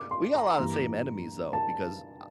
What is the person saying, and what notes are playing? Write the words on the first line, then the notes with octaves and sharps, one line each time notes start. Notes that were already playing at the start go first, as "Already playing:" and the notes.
we got a lot of the same enemies, though, because I
Already playing: D6
C6
A#5
G2 E3 A#3
A5